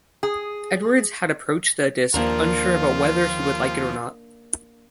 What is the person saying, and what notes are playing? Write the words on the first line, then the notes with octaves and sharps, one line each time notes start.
Edwards had approached the disc unsure about whether he would like it or not.
G#4
D#2 D#3 F3 A#3 D4 F4 A#4